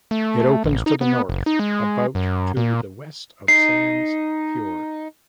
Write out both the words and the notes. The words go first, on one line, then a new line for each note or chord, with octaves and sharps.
It opens to the north about to the west of Sands Fjord.
A3
A1
D#4
B3
F#1
D#4
G#3
F#2
A#2
D#4 C7